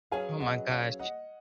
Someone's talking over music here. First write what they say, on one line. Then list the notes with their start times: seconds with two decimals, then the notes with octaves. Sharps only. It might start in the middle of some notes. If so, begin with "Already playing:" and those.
Oh my gosh.
0.11 F#3 C#4 G#4 B4 F5 G#5
0.40 D#5 F#5
0.71 C#5 F5
0.99 D#5 F#5